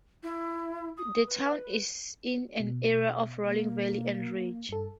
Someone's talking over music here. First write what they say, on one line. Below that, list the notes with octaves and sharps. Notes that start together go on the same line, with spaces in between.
The town is in an area of rolling valleys and ridges.
E4
D#6
B4
B2
A#3
G2 A4